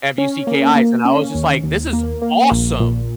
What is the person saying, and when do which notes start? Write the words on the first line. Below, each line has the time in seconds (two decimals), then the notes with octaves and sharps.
F U-C-K ICE, and I was just like, "This is awesome."
0.18 C#4
0.47 A#3
0.76 A#3
1.05 C#4
1.35 D#2
1.63 D#2
1.93 A#3
2.22 A#3
2.52 A#1
2.80 A#2